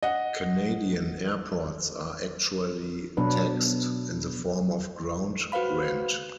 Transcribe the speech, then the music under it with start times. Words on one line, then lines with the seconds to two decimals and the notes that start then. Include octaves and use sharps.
Canadian airports are actually "taxed" in the form of ground rent.
0.03 D#5 F#5
3.17 B2 F#3 B3 D4 B4
5.52 F#4 B4 C5 F5 B5